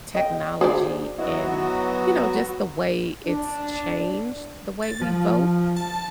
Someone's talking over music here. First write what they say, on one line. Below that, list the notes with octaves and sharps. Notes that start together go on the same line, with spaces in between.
technology and, you know, just the way it's changed the way we vote?
D#5 G5
D4 G#4 C5 D5
F#3 B3 E4 F#4 D#5
D4
A6
F3
A5